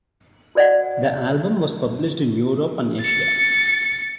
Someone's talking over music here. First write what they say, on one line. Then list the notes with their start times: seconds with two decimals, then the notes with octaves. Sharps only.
The album was published in Europe and Asia.
0.55 F#4 C5 D5 D#5 F#5
3.01 A6 C#7